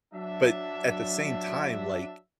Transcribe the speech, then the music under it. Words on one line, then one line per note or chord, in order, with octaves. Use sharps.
But at the same time, like,
F#3 D4 E5